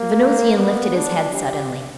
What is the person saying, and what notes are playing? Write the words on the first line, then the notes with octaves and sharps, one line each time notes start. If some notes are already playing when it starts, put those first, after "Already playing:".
The Venusian lifted his head suddenly.
Already playing: A#3
B3
D4
G4